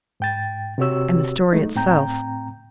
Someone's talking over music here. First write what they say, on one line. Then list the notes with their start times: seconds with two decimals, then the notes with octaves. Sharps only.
And the story itself.
0.20 G#2 G5 A6
0.78 C3 C4 F#4 G4 C#5 E6
1.52 F#3 G#3 A3 D#4
1.75 A2 C4 G5 A#5 G6